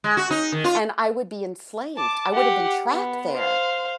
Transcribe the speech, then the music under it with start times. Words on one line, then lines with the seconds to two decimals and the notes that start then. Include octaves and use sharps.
and I would be enslaved. I woulda been trapped there.
0.04 G#3
0.17 F#4
0.30 D#4
0.52 D#3
0.64 F4
1.97 A5 D6
2.32 G4 F#5
2.90 B3
3.33 C5 F5